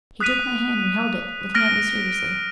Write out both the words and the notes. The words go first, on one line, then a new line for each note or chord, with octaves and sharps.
He took my hand and held it, looking at me seriously.
D#6 F#6 B6 D#7
F6 A#6 D7